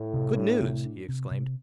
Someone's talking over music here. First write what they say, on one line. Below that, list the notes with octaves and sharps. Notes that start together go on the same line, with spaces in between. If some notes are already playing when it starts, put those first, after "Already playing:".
"Good news!" he exclaimed.
Already playing: A2
C3
D4
C3
D4
C3
C3